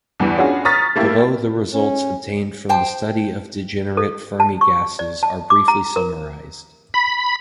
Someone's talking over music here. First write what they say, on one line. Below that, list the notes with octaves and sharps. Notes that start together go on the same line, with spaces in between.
Below the results obtained from the study of degenerate Fermi gases are briefly summarized.
E2 G2 E3
B3 C#4 D4 F4 F#4 G#4
A#5 C#6 D#6 F6 A6 B6
A3 A#3 E4 G4
C#4
C5 G5 A5
A4
A5
C#6
D5
A5
D6
A#5
A#4
B5